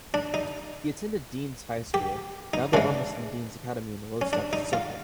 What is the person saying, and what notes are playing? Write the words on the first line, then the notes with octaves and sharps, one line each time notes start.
He attended Denes High School, now the Ormiston Denes Academy in Lowestoft, Suffolk.
D4
D#4
G4
D#4
C#3 E3 G#3 D4
C#4
D4
D#4
F4